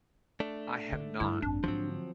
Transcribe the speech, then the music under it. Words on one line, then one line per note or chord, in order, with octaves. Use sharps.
I have not.
A3 D4
D3
G2 D3 E4
G#1 F#2 D4
G#2 D3 F3 F#3 C4